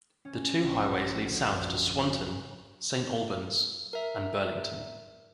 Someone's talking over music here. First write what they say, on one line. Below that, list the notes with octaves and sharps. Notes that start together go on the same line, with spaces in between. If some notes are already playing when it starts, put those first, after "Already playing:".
The two highways lead south to Swanton, Saint Albans, and Burlington.
C#4
A#1
F#5
D2
F#2
A#4 E5